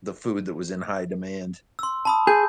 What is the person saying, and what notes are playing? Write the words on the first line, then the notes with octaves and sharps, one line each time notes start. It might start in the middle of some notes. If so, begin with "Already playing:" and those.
the food that was in high demand.
C6 E6
A5 B5 D#6
G#4 G6